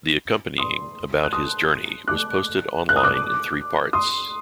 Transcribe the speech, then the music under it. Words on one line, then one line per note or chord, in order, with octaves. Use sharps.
The accompanying about his journey was posted online in three parts.
C6 D#6
F#6
C6 D#6
D6 F#6
F#6
D#6
D6 F#6
C6 D#6